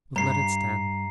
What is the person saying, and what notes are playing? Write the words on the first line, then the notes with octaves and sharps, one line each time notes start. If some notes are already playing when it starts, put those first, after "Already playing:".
But let it stand.
G2 A#5 C7